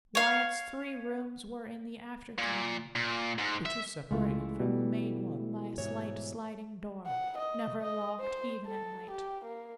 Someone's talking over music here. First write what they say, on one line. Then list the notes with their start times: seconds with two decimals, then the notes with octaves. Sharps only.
Wyatt's three rooms were in the after-cabin, which was separated from the main one by a slight sliding door, never locked even at night.
0.15 C#5 F5
2.39 A#2
2.95 A#2
3.38 G#2
3.65 E5
4.11 C#2 E3 G#3 A3 F4
4.60 B2 G3
5.78 G#2 E3 C#5
7.06 F#5
7.38 D#5
7.82 D#5
8.20 C5
8.66 A4
9.11 G4
9.45 A#3